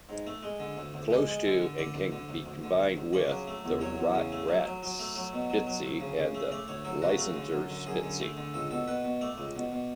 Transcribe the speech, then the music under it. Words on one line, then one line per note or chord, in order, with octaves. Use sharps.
Close to, and can be combined with, the Rotgratspitze and Lisenser Spitze.
G#2
A3
G#3
D3
D2
D2
G#3
G#3
D3
D3
D3 D5
D2
D3
D2
D2
D3
D2
D2
C#3 D5
F#3
A3
E2
F#3 C#5
E2
C#3
A3
F#3
F#3
F#3
A3
F#3
B2
F#3
F#3
D2
C#3
C#3
A3
A3 D5
D2 C#5
F#3 A4
C#3 F#4
A3
D3
F#2
D3
F#2 G#4
D3
A3
D3
C#2 A4
B2 A4
B2 B4
B2
A3 D5
C#2
B2
B2